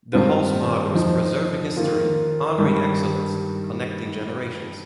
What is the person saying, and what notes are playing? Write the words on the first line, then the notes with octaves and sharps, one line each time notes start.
The Hall's motto is Preserving History, Honoring Excellence, Connecting Generations.
G2 D#3 C4 F4
F2 F3 D#4
D#3 A#3 F4
G2 D#3 G3